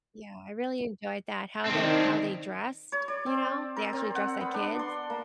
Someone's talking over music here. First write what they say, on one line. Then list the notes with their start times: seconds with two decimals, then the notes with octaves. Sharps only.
Yeah, I really enjoyed that, how the how they dressed, you know? They actually dress like kids.
1.66 C3 D#3 C4 D4
2.92 C#5
3.08 D5
3.26 C4
3.76 A#4
3.93 C4
4.15 F#5
4.41 B3
4.54 D4
4.79 C6
5.10 A#3